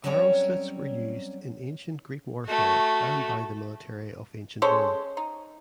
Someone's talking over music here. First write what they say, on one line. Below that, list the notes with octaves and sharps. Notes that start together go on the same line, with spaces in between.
Arrowslits were used in ancient Greek warfare and by the military of ancient Rome.
F#3 G3 C4 C#4 C#5 A#5
A3 F#4
G#3 C#4 A4 C5
D#4